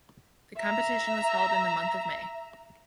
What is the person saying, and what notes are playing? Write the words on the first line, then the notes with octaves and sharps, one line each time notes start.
The competition was held in the month of May.
E5 A#5